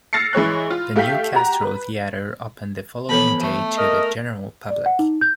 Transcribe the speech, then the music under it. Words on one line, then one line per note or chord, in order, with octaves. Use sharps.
The new Castro Theatre opened the following day to the general public.
E6 F6 A6 A#6 C7 C#7
E3 G#3 C#5 F#6
F4
A3 G4 F5 G5 G6 B6
F#4 G4 A#5
B4
E3 F3 B3 A4 B4 C#5 B5
A3
A#4 D#5 F6
D5
F#5
D#4
G6